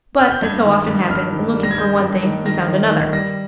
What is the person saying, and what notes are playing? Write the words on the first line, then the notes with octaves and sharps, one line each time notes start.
But, as so often happens, in looking for one thing he found another.
F6
G6
G2 G#6
D#3
G2
G2 F6
D#3
G3
A#6
G#6
G3 G6
G2
D#3
D#3 A#6
D#3
D#3
G3 A#6